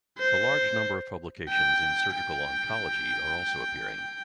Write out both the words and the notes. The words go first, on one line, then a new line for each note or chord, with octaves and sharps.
A large number of publications in surgical oncology are also appearing.
C5
G5
G5